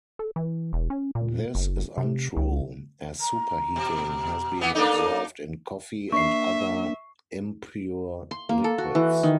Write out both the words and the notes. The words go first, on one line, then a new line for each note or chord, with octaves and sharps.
This is untrue, as superheating has been observed in coffee and other impure liquids.
A4
E3
E1
C#4
A#2
F#1
C3
C#2
A#5
B2
E3 B3 F#5
A#3 D4 D#4 A4
A#3 D4 E5 C#6 C7
C6
A#3
A4
F#4
E3
D#3